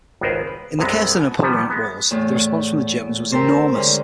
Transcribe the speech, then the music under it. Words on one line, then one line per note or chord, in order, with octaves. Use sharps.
In the chaos of the Napoleonic wars, the response from Germans was enormous.
G#1 C#2 B3 G#4 A#4 C5
B4
C2 G2 C3 G#3 B3
B4 F#5 G#5 A5
D#3 F3 G3 B3
G#3 B3
E2 A2
C4 G4 A4 A#4 C5
D3 G#3 C#4